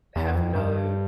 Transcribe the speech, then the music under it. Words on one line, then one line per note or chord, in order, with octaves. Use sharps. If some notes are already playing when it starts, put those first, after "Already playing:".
have no
E2
F2
G2